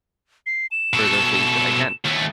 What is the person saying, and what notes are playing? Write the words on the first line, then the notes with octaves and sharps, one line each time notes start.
for those days that I can.
C7
E7
B2 A4
D#2 A3